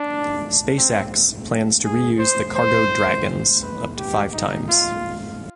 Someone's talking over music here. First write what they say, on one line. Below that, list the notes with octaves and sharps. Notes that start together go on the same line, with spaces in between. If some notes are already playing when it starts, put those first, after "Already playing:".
SpaceX plans to reuse the Cargo Dragons up to five times.
Already playing: D4
C4
G#4
C5
C5
B4
G4
D#4
F4